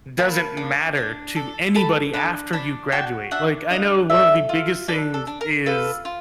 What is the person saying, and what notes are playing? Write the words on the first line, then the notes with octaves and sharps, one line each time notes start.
doesn't matter to anybody after you graduate. Like, I know one of the biggest things is
A#3 A5 B5
D4
D4
A4
A4 A5 B5
D4 A5 B5
D4 A5 B5
F#4 G5 A5
D4 E5 F#5
D4 D#5 F5
A4 D5 E5
F4
D4 A4 B4
A4
D4
A#4
F4 A4 B4
F4